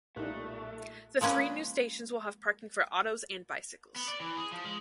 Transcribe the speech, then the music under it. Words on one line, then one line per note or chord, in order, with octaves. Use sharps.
The three new stations will have parking for autos and bicycles.
B1 A#2 G3 A3 D#4 F#6
F3 G#3 A#3 C#4 B4
B3
D5
E3
G#4
F3
G#3